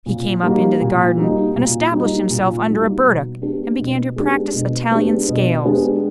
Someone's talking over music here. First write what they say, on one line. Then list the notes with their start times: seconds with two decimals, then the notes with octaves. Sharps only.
He came up into the garden, and established himself under a burdock, and began to practise Italian scales.
0.06 A#2
0.43 G3 A#3 D#4 F#4
0.81 A#2
1.17 G3 A#3 D#4 F#4
1.55 A#2
1.92 G3 A#3 D#4 F#4
2.30 A#2
2.66 G3 A#3 D#4 F#4
3.03 B2
3.41 G#3 B3 D4 G4
3.79 B2
4.16 G#3 B3 D4 G4
4.54 B2
4.91 G#3 B3 D4 G4
5.28 B2
5.65 G#3 B3 D4 G4